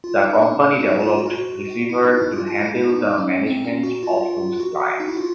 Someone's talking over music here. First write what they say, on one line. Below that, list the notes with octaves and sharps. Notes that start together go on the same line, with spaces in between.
The company developed Receiver to handle the management of those clients.
F4
D#4
D4
D4
D#4
F4
F#4
F4
F#4
E4
D#4
E4
F4
F4
E4
E4
D#4
C#4
C4
C#4
F#4
F4
F#4
D#4
E4
F4